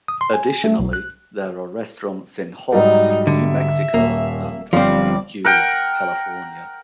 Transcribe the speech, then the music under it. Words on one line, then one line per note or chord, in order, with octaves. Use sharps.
Additionally, there are restaurants in Hobbs, New Mexico and Temecula, California.
D#6
C6
G#5
A3
B1
F#6
G#2 F#3 G3 D#4
D3 E5
D#1 A#3
G1 F3 G3 C4 D5 F5
A#4 F#5 G5